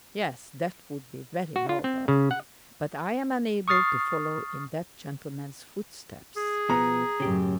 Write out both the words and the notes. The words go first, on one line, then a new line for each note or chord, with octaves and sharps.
Yes, that would be very noble, but I am unable to follow in that gentleman's footsteps.
F#4
F4
C4
C#3
F#5
C#6 D#6 F6 A6 C7
G#4
B2 F3 B3 A#5
F#2 A2 C#3 G4